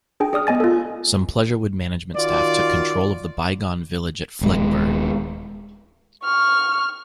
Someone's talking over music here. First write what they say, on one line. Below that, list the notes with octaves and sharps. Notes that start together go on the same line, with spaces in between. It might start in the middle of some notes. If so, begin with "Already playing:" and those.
Some Pleasurewood management staff took control of The Bygone Village at Fleggburgh.
D4 G#4 G5 G#5
G#4 D5 D#6 F6
B3 D#5 G#5 A6
F4 A4
D#3 F4 F#4 D5
D#1 G#3
C#6 F6